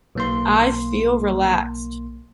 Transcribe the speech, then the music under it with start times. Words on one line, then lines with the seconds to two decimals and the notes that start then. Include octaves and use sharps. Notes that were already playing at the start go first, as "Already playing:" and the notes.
I feel relaxed.
0.15 B1 A#3 C6